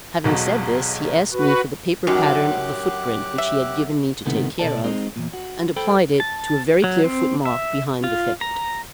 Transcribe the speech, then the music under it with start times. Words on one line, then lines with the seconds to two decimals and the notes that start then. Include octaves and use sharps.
Having said this, he asked me for the paper pattern of the footprint which he had given me to take care of, and applied it to a very clear footmark behind the thicket.
0.24 E1 B1 B2
1.33 F#4 B4
2.07 F#2 D#3 C#4 F#4 G4 D6 F#6
3.38 E5
4.25 C#2 A2 C3 D#3 A3 B3
4.59 B2 A4 D5 A5
4.84 G#3 C4 D#4
5.16 E2 G2 A#2
5.33 F#4
5.76 A4 C5 G5 B5
6.20 A5
6.84 F#3
7.04 C4
7.45 E5
8.04 F4
8.41 A#5